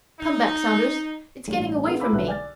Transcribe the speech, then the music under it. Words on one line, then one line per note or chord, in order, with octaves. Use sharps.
Come back, Saunders, it's getting away from me.
D#4
A1 G2
B3 C4 F4 G#4 A#4 B4
E4 F4 A4 B5 D6 E6
B1 D3 F#4 B4 E5 F#6
D5 G#5 F6 A6